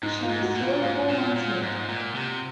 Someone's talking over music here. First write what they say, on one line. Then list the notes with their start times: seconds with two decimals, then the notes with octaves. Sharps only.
She was sold four months later.
0.03 G#2 D#4
0.23 F4
0.29 G#2
0.42 F#4
0.56 A#2
0.63 F4
0.82 G#2 F4
1.09 A#2
1.35 A#2
1.62 G#2
1.89 A#2
2.15 C3